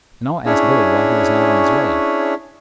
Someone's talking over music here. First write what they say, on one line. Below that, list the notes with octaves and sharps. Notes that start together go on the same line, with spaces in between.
And all asked Billy why he was not on his way.
C#4 D4 E4 G#4 C#5